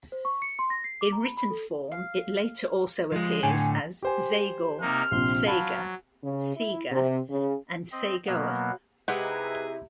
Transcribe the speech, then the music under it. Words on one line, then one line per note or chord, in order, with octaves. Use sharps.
In written form it later also appears as "Zaegor", "Sager", "Seger", and "Cagoer".
C5
C#6
C#7
C6
A#6
C7
D6
A#5
B5
B5
A4
F5
F3 G#3
A2 D3 G#5
G4 C5 G#5
C3 A#3 D#4 F6
A#1 C3 C6
F#3 F5 A5 B5
C#3
E4
C3
C#3
C4 D#5
B2 F#3 A#3 B3
C3 G#3 D#4 E4 G4 G#4 B4 F#5